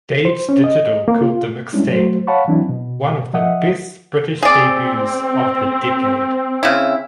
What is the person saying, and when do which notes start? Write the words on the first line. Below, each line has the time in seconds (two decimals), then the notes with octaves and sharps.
Dazed Digital called the mixtape "one of the best British debuts of the decade".
0.25 C5
0.49 C#4
0.64 D#5
1.08 A#3
1.21 F4
1.73 G3 G#3 B3 C#4 D4 E4
1.88 F#3 A3 F#4 C5
2.27 C#5 F5 F#5 A5 B5 C#6
2.48 E3 F#3 C4 D4 E4
2.69 B2
3.33 F3 D#5 E5 F#5 D#6
4.43 C4 G#4 D5
6.63 C#3 E4